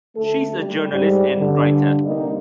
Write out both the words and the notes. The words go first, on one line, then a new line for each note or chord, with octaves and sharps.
She’s a journalist and writer.
D2 A3 A4
G3
G#2 G3
G2 D3
C3 G3 A#3 D#4